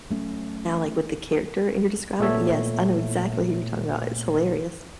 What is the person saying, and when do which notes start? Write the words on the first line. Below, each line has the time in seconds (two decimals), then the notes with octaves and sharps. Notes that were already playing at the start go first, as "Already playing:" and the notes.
like with the character and you're describing, yes, I know exactly who you're talking about, it's hilarious.
0.10 F#3 A3 C#4
2.20 A#2 A3 B3 A4 C#5 E5